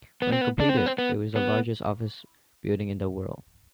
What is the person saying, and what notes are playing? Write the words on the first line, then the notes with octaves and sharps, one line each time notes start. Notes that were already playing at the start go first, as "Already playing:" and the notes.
When completed, it was the largest office building in the world.
B3
C4
B3
D4
C4
B3
C4
B3
B3